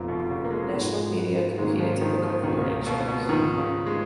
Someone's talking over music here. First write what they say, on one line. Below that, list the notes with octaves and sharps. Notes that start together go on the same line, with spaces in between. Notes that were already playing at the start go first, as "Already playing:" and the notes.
National media competed to book her for morning shows.
Already playing: F1 F2 A#2 F3 B3
B2
C#3
A#3
G#3
G#2 F3 B3
G#1 G#2 D#3 G#3 A#3 C#4
F3
D#3
F3
C#2 B2 D#3 A#3
C#3
B2
B2
G#2 D#3 F3 B3 D#4
C#3
G#3